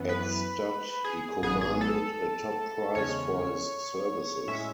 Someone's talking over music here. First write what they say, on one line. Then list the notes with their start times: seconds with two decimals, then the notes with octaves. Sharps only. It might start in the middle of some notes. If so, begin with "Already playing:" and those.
At stud, he commanded a top price for his services.
Already playing: F#2 E3 B3
0.09 B4
1.04 G#4
1.42 A1 G#2 F#3 B3 G#4
1.61 G#4
1.81 A4
2.95 E2 C#3 G#3 C#4 C#5
4.48 A2 G#3 C#4 E5